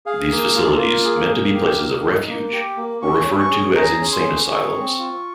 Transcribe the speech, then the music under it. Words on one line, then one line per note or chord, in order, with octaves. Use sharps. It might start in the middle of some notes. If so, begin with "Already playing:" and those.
These facilities, meant to be places of refuge, were referred to as "insane asylums".
G#4 F5
A#3
F4
A#3
G#4
A#3
G4
A#3
D#4
A#3
G4
A#3
C#4 C#6
C#4
C#6
G#4
G#4 A#5
C#4
C6
C#4
G#4 C#6
C4
F4